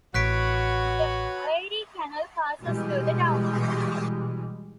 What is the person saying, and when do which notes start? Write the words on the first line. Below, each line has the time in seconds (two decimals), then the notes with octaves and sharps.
The Erie Canal passes through the town.
0.14 A1 F#4 B4 C#5 B5 F#6 B6 D7
2.61 B2 E3 G3 G#3